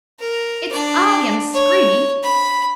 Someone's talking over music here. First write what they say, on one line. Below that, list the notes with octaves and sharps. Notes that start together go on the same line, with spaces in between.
It's I am screaming.
A#4
D4 D5
C#5
B5